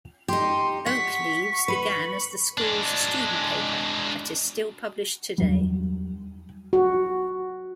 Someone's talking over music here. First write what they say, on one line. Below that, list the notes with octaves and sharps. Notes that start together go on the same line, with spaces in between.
"Oak Leaves" began as the school's student paper that is still published today.
D#4 G4 C6
F#5 C#6 B6
B4 B5
G#3 D4
E2 F#3 G3
F#4